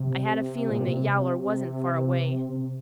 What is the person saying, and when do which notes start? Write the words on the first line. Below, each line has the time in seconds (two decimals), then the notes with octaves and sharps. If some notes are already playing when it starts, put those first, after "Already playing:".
I had a feeling that Yowler wasn't far away.
Already playing: C3
0.70 A#2
0.80 C3